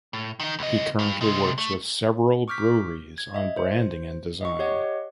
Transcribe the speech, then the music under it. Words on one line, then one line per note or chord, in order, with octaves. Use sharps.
He currently works with several breweries on branding and design.
A2
D#3 D#4
C#2 D#5
G2
C3 G#3
A3
C#6 D6 F6 G6 B6
G#6
D#5 E5
C5
D#5 C#6
G4 C#5 D#5 F#5